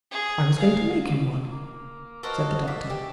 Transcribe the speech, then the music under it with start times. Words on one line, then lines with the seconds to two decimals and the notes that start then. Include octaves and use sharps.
"I was going to make him one," said the Doctor.
0.11 G#4
0.59 F5
1.50 A#3
2.23 F#4 A4 A#4 C5 D#5 F6
2.68 D5 E5
2.90 G4 A4